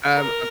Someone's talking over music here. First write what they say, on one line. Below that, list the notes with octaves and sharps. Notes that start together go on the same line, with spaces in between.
Um, uh
A#4